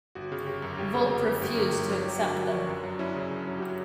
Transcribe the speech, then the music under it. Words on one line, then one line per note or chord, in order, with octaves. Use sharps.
Volpe refused to accept them.
G1 F#4
C#3
G1 G4
F#2
G1 G4
C#3
G1
F#2
G1 G4
D3 A#4
F#3 G4
G2
G1 G4
D3 F#4
F#3 D4
G2
F#2
F#3
C#4 E4
C#3
F#2
F#3
G4
C#4 F#4